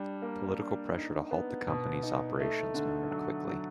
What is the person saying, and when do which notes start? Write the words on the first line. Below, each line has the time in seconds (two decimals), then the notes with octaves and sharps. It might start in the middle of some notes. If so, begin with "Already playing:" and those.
Political pressure to halt the company's operations mounted quickly.
Already playing: G3 D4
0.22 A#3
0.59 D4
0.95 D#4
1.31 B3
1.67 B2
2.03 D#4
2.39 A3
2.74 D3
3.11 F#3
3.48 F#3